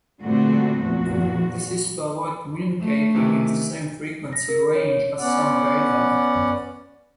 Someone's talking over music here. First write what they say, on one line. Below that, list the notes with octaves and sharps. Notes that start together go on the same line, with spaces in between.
This is to avoid communicating in the same frequency range as some radar.
A#2 D3 G3 A3 C4 F#4
E2 A#2 F3 F#4
A3
C3 D#3 E3
A#6
A#4
C#5
B3 C#4 D5 F#5